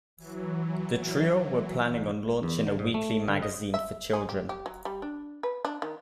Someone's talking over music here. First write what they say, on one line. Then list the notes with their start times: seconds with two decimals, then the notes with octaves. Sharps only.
The trio were planning on launching a weekly magazine for children.
0.17 E3 F#3
2.43 E2
2.67 D3
2.79 G#2
2.94 A3
3.28 D3
3.42 D#5
3.74 E5
4.13 G#4
4.29 G4
4.49 G4
4.66 F#3
4.85 G3
5.02 D4
5.43 B4
5.65 D4
5.82 D#3